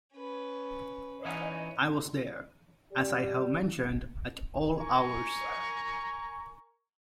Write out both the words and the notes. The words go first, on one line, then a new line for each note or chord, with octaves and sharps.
I was there, as I have mentioned, at all hours.
C#4 B4
E3 C#4 D#4
G4 D5
A#4 G#5 A#5 C#6